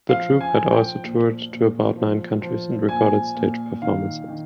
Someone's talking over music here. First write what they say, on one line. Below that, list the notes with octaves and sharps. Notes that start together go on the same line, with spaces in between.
The troupe had also toured to about nine countries and recorded stage performances.
F3 F5
G#5
F3
G5
A#2
A#2
F3
F3
A#2 G#5
A#2
D#3 F5
D#3